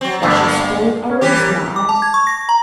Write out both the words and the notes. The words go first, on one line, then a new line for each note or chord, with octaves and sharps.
As she spoke I raised my eyes.
F#3 C4
G2 A#2 D3 A3 B3
C#4
E3 G3 G4
A#4 C#5
D6
A5
G#6
C#6
A#6
A#5